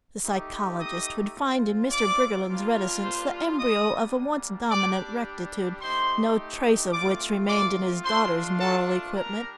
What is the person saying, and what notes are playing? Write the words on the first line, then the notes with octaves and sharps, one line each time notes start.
The psychologist would find in Mr. Briggerland's reticence the embryo of a once dominant rectitude, no trace of which remained in his daughter's moral equipment.
A3 D#4 G4
D#5 D#6
C4 F4
D5 D6
G3 A#3 D4 F4
C5 C6
G3 A#3 D4 D#5 D#6
G3 D4 G4 D5 D6
A3 D#4 G4 C5 C6
A3 C4 F4 D5 D6
D5 D6
A3 D4 F4 C5 C6
A4 A5
G3 D4 G4 A#4 A#5